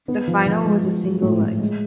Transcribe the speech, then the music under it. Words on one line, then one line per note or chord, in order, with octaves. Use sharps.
The final was a single leg.
B3
F3
F3
G#3
G#3
G#3
A2
A2
G#3